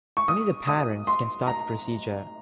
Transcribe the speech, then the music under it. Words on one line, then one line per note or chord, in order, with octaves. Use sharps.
Only the parents can start the procedure.
C#6
D#6
D#6
C6
A#5